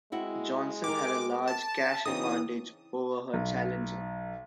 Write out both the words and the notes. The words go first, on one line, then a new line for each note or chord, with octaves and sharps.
Johnson had a large cash advantage over her challenger.
G#3 C4 E4 F#4
G4 A#4 D6
A5
C#3 E3 C4 D#4 D#6
B1